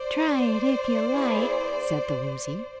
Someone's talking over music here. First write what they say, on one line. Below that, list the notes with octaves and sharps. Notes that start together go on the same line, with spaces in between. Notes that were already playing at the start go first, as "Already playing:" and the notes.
"Try it, if you like," said the Woozy.
Already playing: C5 D5
B3 E4 G#4